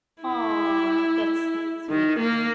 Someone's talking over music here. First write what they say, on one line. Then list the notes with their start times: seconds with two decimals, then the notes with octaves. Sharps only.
Aw, that's so sweet.
0.23 E4
1.90 D#3
2.19 A#3